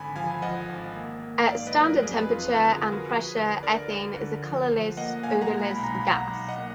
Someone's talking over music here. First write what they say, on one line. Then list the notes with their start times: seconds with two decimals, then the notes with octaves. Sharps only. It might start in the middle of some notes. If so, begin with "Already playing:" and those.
At standard temperature and pressure, ethane is a colorless, odorless gas.
Already playing: G#1 D3 G#5 B5
0.16 F3 F5 G#5
0.31 G#5
0.42 F3 D#5 F#5
0.69 G#1
0.95 A#3
1.23 A#3
1.49 G#2 D5 F5
1.67 B4 D#5
1.75 F#3
1.85 A#4 D5
2.02 F2 G#4 B4
2.16 G#4 B4
2.30 F2 F4
2.56 D3
2.64 A#4
2.74 F4 G#4
2.83 F3
2.92 F#4 A#4
3.09 F3 G#4 B4
3.36 D2
3.63 D3 A#4 D5
3.90 D2
4.16 D3
4.43 F3
4.71 F3
4.97 A#3 D#5 F#5
5.23 A#2 F5 G#5
5.41 F#5 A#5
5.50 G#3
5.59 A#5
5.71 B5
5.77 B1
5.84 A#5
5.95 B5
6.04 B1 F#5 A#5
6.31 B1
6.48 D#5 F#5
6.58 A#3